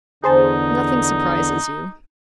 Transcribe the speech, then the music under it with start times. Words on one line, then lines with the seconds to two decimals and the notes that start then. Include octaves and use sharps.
Nothing surprises you.
0.24 E2 D3 D#4 G#4 C5 A5